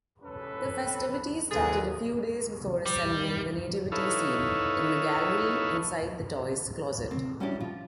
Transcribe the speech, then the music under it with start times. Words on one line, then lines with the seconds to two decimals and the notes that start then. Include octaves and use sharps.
The festivities started a few days before assembling the nativity scene, in the gallery, inside the toy’s closet.
0.23 C#4 A4 B4
1.51 D#2 B2 E3 G#3 G#4 A4 G#5
2.86 G3
3.92 D#4 E4 A4 B4 C#5 F5
7.11 C4
7.40 G3 C#4 D4 E4 F#4 G4
7.60 F3 G3 F4